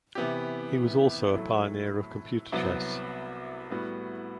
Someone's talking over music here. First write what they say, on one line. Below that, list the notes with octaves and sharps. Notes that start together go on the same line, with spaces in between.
He was also a pioneer of computer chess.
C3 E3 B3 E4 G4
A2 F#3 A3
C2 C3 F#3 B3 F#4
A2 G3 B3 F#4